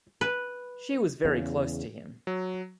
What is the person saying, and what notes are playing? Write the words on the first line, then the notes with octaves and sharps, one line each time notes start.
She was very close to him.
B4
E2 C#3
F#3